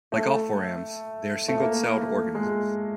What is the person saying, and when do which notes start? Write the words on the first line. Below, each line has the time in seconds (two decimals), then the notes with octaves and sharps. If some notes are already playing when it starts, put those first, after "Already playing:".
Like all Forams, they are single-celled organisms.
0.12 A3
1.48 A3
1.60 A#3
1.97 A3
2.35 G#3